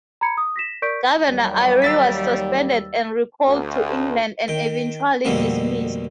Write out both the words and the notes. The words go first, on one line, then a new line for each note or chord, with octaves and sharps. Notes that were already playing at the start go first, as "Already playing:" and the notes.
Governor Eyre was suspended and recalled to England and eventually dismissed.
A#5 B5 G#6 C#7
D#6
A#6 B6 E7
A#4 D5 C#6 G6 B6 D7
D#2 F#3 G3
E6 A6 B6
D2
D#3 G5
F2 B2 D3 G3 A3 A#3